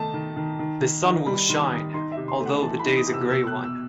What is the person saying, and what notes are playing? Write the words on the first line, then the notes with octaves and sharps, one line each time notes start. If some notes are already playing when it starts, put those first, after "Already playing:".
The sun will shine, although the day's a grey one.
Already playing: D#3 A3 D#4 A5
D#3
D#3
D#3
D#3
D#4
G3 B5
D#3 C6
D#3 D#6
D#4 C6
E5
C3
C6
A3
F#5
E3 A5
B5
D#4
D#6
C3
E6
B2 E6
F#6
B2
E6